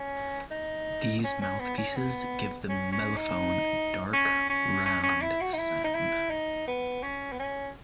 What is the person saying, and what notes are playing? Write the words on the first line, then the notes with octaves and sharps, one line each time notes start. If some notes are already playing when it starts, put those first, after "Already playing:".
These mouthpieces give the mellophone a dark, round sound.
Already playing: C#4
D#4
C#4
C#4
B3
C#4
B3
C#4
C#4
D#4
C#4
C#4
C#4
C#4
E4
F#4
D#4
E4
D#4
E4
D#4
B3
C#4
B3
C#4